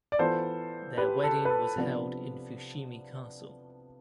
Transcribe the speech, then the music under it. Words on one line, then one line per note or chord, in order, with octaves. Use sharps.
Their wedding was held in Fushimi Castle.
D5
E3 B3 F4 A4 C5
G4 B4
A4
B4
A4
C3 F3 B3 D4